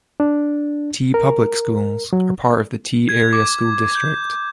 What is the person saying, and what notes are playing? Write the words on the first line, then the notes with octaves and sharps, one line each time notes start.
Tea Public Schools are part of the Tea Area School District.
D4
A#4
F#3
G#6
D6
G6